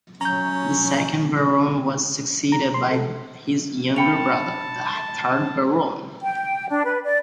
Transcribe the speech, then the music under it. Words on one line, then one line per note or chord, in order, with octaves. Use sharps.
The second Baron was succeeded by his younger brother, the third Baron.
F#3 C#4 A#5 G6
A#5
C6
A4
G2 G5 A5 B5 C#7 F7
G5
D4
B4
D5